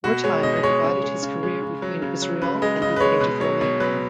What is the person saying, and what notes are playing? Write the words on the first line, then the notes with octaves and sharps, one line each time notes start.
Wertheimer divided his career between Israel and his native Romania.
B2 F#4
G#3 C#5
B2 D#5
D#5
G#3 C#5
C#3
G#3
C#3
G#3
C#3
F#3
C#3
F#3
C#3 B4
G#3 D#5
C#3 D#5
B4
G#3 C#5
B2 B4
F#3 C#5
B2 C#5
F#3 B4